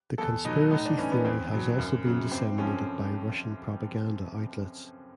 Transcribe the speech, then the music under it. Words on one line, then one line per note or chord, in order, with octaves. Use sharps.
The conspiracy theory has also been disseminated by Russian propaganda outlets.
E2 A4
B2 F#3 D#4
A2 D#4
D4
E3 C#4
B3
E2 C4
B2 F#3
F#2
C#3 F#3
G2 C4
D3 F3 C#4